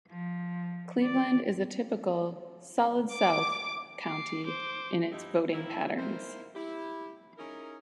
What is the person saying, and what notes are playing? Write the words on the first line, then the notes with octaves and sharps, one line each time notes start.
Cleveland is a typical "Solid South" county in its voting patterns.
F3
D5
D6
D6 C7
C5 D6
G2 F3 D#4 E4 G4 D#5
A2 D#3 A#3 E4
A#3 D#4 E4 C5
E4 G4
C#4 D#4 E4 G#4 A#4